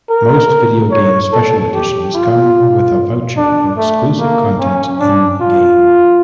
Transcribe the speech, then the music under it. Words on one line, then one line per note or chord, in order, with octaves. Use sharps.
Most video game special editions come with a voucher for exclusive content in-game.
A#4
C#5
A4
G4
F4
D4
A3
A#3
C#4
D4
F4